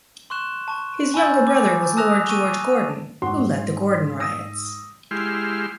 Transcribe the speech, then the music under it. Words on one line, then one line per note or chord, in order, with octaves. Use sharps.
His younger brother was Lord George Gordon who led the Gordon Riots.
C6 C#6 F#6 E7
A5 C#6
G#5 A5 B5 E6 G6 A6
G#5 D6
A5 D#6 E6 F#6 A#6 F7
C#6 D#7
G#2 F#4 C6
D#6 E6 A#6
G#3 E4 G4 C6 F6